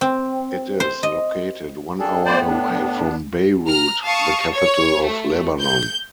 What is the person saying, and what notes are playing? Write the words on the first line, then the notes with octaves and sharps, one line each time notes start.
It is located one hour away from Beirut, the capital of Lebanon.
C4
C5
D#5
D4 G#4 A4 G5
A2 B3 C5 D5
D4
A#5 F6
F5 A5 C#6 D#6
C#5
A3
G6